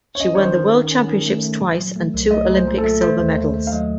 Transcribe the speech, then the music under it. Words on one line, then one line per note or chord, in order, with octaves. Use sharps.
She won the World Championships twice and two Olympic silver medals.
C#5
C#4 D#5
D#3 C#5
C5
D#3
D#3
C#4
D#3
A3
A3
A#2
F#3
A3
C2
A3 D#5
A#2 C5
A#2
A4
A3
A3 C5
D#2
D#2
A3
F5
F#3 D#5